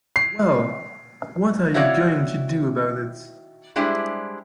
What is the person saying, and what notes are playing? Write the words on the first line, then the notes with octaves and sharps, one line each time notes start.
Well, what are you going to do about it?
C7
D#3 E4 F#4 C#5 D5 F5
G3 G#3 D4 E4 G4 C5